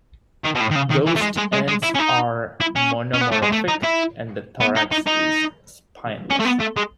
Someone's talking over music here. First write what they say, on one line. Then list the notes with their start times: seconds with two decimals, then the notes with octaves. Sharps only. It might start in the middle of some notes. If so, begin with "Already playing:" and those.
Ghost ants are monomorphic and the thorax is spineless.
0.44 D#3
0.55 B2
0.61 A2
0.71 D#3
0.76 C#3
0.90 D#3
1.06 E3
1.16 A3
1.21 G#3
1.37 G#3
1.52 G#3
1.68 G#3
1.83 E4
1.95 C#4
1.99 D#4
2.60 E4
2.76 C#4
3.14 C#4
3.21 B3
3.32 A3
3.43 G#3
3.52 A3
3.68 D#4
3.83 E4
4.60 B3
4.76 D#4
4.92 D#4
5.07 D#4
6.30 C#4
6.39 A3
6.45 B3
6.60 A3
6.76 G#3